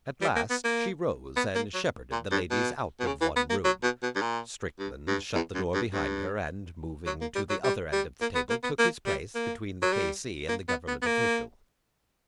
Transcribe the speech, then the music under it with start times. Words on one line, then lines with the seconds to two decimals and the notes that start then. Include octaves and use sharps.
At last she rose and shepherded the ladies out of one room. Strickland shut the door behind her, and, moving to the other end of the table, took his place between the K.C. and the Government official.
0.21 G3
0.36 A#3
0.50 B3
0.64 A#3
1.36 B3
1.55 A#3
1.74 F#3
2.12 A#2
2.32 G2
2.51 B2
3.00 B2
3.06 C#3
3.21 E3
3.36 B3
3.50 A#3
3.65 F#3
3.83 B2
4.03 B2
4.15 G2
4.21 A#2
4.79 G2
5.07 G2
5.35 E2
5.55 F#2
5.74 G2
5.93 G2
7.07 F#3
7.21 A#3
7.35 G3
7.50 F#3
7.64 G3
7.93 G3
8.21 A#3
8.35 B3
8.49 A#3
8.63 B3
8.78 A#3
9.06 G3
9.35 A#3
9.82 F#3
9.92 G3
10.49 A#3
10.68 B3
10.88 B3
11.02 B3
11.06 A#3